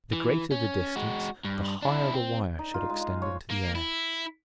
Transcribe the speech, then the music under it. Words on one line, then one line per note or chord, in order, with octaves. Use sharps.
The greater the distance the higher the wire should extend into the air.
E3
C#4
G#3 F#4
G2
D4 E4
C4
D#4
F4
G#3
F5
C#5
A#3
E4